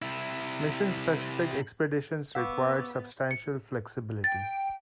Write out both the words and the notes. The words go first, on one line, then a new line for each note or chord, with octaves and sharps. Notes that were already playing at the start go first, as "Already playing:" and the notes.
Mission-specific expeditions required substantial flexibility.
C3 E4
B3 F5 F#5 C#6 D6 E6
C#7
G5 A6